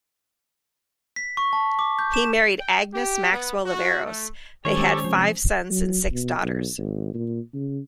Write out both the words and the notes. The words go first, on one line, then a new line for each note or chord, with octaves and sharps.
He married Agnes Maxwell of Aros; they had five sons and six daughters.
B6
C#6
A5
D6
G6
E7
G5
G4
B3
F#4
A3
D#3 G3 G#3 C#4 G4 A4 C5 C#5
C3 F3 C4 G#4
F#3
B2
B1
G#1
A#2
C#3